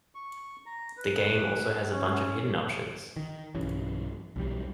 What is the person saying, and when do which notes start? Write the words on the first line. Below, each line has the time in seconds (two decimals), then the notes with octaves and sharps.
The game also has a bunch of hidden options.
0.15 C#6
0.66 A#5
0.97 B4
1.92 C#4
3.16 D#3
3.55 B1 G2 C#3 E3
4.36 B1 E2 G3